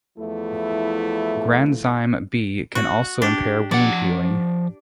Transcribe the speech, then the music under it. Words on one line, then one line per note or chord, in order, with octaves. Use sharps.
Granzyme B can also impair wound healing.
E2 F3 A3 E4
F#4
D4 G4
F3 D5 F#5